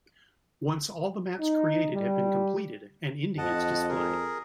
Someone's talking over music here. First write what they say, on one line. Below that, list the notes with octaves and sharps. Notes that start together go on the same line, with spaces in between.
Once all the maps created have been completed, an ending is displayed.
D#4
G3
F2 D#5 F#5 A5
G#4 A#4